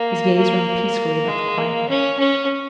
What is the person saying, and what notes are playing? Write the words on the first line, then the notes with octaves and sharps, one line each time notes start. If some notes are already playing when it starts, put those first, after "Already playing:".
His gaze roamed peacefully about the quiet room.
Already playing: A#3
A#3
G#3
A#3
C#4
C#4